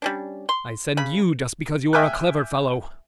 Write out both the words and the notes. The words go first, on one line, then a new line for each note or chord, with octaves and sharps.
I send you just because you are a clever fellow.
G3 C#4 D4
C6
C#3 B5
E5 G5 G#5 D6 F6 F#6